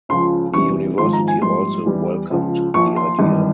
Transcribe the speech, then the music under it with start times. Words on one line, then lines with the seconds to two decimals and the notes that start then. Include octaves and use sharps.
The university also welcomed the idea.
0.09 C#2 C#3 F3 C6
0.54 E2 C3 G3 C#6
0.97 G#1 G#2 F3 C6
1.13 A#5
1.28 G#5
1.42 A#1 G#2 G3 C6
1.86 E2 E3 G3
2.30 C#2 C#3 F3
2.74 A#1 A#2 F3 C#6
2.96 C6
3.19 G#1 G2 E3